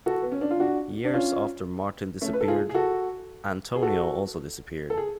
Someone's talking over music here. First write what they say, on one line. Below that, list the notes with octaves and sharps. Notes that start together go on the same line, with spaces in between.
Years after Martin disappeared, Antonio also disappeared.
F#4 A4
B3
C#4
D4
F4
D4 F#4
D4
C#4 F4
A3 C#4
B4
A4
F4 G#4
G#4
F#4 A4
G#4
F#4 A4
A4
G#4